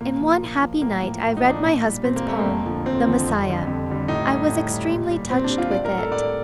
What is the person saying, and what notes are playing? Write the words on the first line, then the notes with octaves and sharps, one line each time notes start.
In one happy night I read my husband's poem, 'The Messiah.' I was extremely touched with it.
A#2 A#3
F3
A#2
F3
A2 A#3
F3
A2
D#4
F3
D4
A#2
G3
A#2 C4
A#3
G3 A3
A#3
F2
D3 F3
F2 C4
D3 F3
F2
D3 G3
F2
D3 G3
A2 D#4
G3
A2
G3
A#2
G3
A#2 C4
D4
G3
F4
A2 D5
A#4
G3
A4
A2 D5